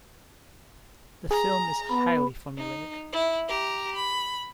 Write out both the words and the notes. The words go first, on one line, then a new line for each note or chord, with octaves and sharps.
The film is highly formulaic.
G#4 A#5
B3 B5
D#4
E4
G4 A#5
B5